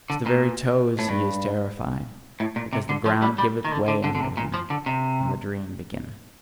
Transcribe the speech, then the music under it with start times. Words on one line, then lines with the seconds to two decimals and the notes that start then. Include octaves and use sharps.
To the very toes he is terrified, because the ground giveth way under him, and the dream beginneth.
0.10 D3
0.26 A#2
0.99 A2
1.09 G2
2.40 A2
2.56 A#2
2.73 C3
2.89 D3
3.06 F3
3.22 G3
3.38 G3
3.65 D#3
3.72 D3
3.88 D3
4.04 D3
4.15 D3
4.21 C3
4.37 A#2
4.54 F3
4.70 D3
4.86 C3